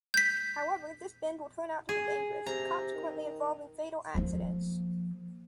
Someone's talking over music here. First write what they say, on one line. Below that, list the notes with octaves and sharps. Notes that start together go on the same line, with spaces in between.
However, this bend will turn out to be dangerous, consequently involving fatal accidents.
G6 B6
G#4
C3 A#5
D#3
F3 A#3